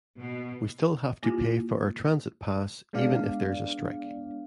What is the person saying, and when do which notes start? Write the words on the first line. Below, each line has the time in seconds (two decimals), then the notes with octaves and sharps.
We still have to pay for our transit pass even if there's a strike.
0.21 B2
1.23 A#3 E4 F4 G4
2.93 G#3 B3 D4 D5 F5